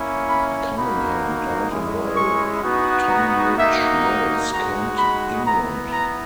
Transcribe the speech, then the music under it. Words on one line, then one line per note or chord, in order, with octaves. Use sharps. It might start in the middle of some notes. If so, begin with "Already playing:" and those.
Cunningham died in Royal Tunbridge Wells, Kent, England.
Already playing: A#3 C#4 E4
B5
A#3 D#4 F#4 B5
G#3 C#4 E4
C#6
B3 D#4 F#4
A#5
A#3 D#4 F#4 E5
A#5
G#3 D#4 F#4 A#5
B5
B3 E4 A#5
A#5